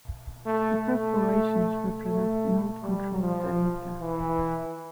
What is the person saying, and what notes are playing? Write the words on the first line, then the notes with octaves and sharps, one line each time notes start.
The perforations represent note control data.
A3
A3
A3
G3
F3
E3